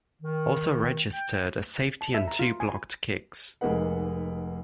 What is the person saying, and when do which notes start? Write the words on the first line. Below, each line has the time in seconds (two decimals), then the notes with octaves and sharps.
Also registered a safety and two blocked kicks.
0.21 D#3
1.11 G5
2.01 A5
2.14 E5
2.28 A#5
2.39 F4
2.60 G#5
3.61 F1 G#3 A#3 D#4 B4 F#5